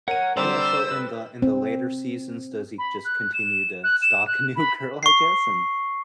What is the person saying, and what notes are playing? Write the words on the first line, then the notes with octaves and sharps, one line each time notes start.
Yeah. So in the in the later seasons, does he just continue to stalk a new girl, I guess? And
A#4 C#5 F#5 D#7
D3 G3 C4 C5 D5 A#5 D6 E6
B4
C4
B5
F#6
E7
F#6
E7
F#6
B5
C#6 C7